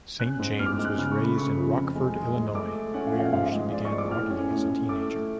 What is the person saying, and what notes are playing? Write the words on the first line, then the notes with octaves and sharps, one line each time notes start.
Saint James was raised in Rockford, Illinois, where she began modeling as a teenager.
C#4 F#6
G#2
G#2 F6
D6
F6
G#3
F#6
C#3 F6
C#6
A3
B5
C#3 C#6
F3
F2
G#3
G#3
G#3
A3 D6
A3
C#4 F#5
F5
F3
F5
G#2 F5
G#3
G#3 D5
C#6
G#3
D6
A2 F6
C#4
A2
A2
A3 D6
A3